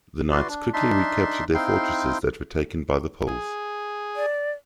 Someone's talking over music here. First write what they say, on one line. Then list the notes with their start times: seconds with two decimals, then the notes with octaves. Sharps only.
The Knights quickly recaptured their fortresses that were taken by the Poles.
0.31 E4 F#4 B4 D5 C6
0.48 D4
0.73 D4 D#4 E5 A5 C6
1.54 C4 D#4 E4 F5 G5 C6
3.28 G#4
4.16 D5